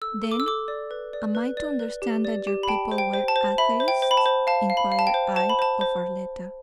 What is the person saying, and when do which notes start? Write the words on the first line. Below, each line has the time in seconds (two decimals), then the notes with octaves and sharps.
"Then am I to understand that your people were Atheists?" inquired I of Arletta.
0.02 A4 E6
0.24 A4
0.31 D6
0.40 E6
0.46 A4 D6
0.68 D5
0.91 B4
1.13 D5
1.35 B4
1.57 D5
1.80 B4
2.02 G4
2.25 D5
2.47 G4
2.63 B5
2.68 G5 A5
2.91 C5
2.98 G5
3.14 C5
3.28 A5
3.36 C5
3.58 E5 B5
3.80 C5
3.88 G5
4.02 C5
4.11 B5
4.17 A5
4.26 C5
4.47 F5 A5
4.70 F5
4.77 B5
4.92 F5
4.99 A5
5.07 G5
5.14 C5
5.36 C5 A5
5.50 B5
5.59 C5 A5
5.81 C5